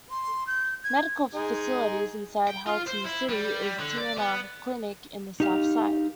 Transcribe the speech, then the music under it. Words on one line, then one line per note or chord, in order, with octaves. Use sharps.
Medical facilities inside Haltom City is the T and R Clinic in the south-side.
C6
G6
G#6
G#3 D#4 G#4
G5
F4
C5
E4
G3
G3
D3
D5
B3
D#4 G4 F5